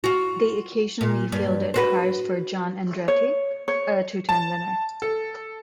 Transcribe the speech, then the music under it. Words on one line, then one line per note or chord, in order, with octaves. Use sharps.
They occasionally fielded cars for John Andretti, a two-time winner.
F4 F#4
A#2
G2 G3
C4 F#4 B4
C#5
C#5
A5
A4